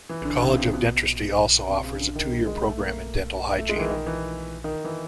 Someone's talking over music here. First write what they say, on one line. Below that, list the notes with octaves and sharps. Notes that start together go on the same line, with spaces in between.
The College of Dentistry also offers a two year program in dental hygiene.
E3
D3
C#3
C3
B2
B2
C3
C#3
D3
D#3
G3
G#3
A3
A#3
A3
G#3
D#3
E3
D#3
E3
D#3
E3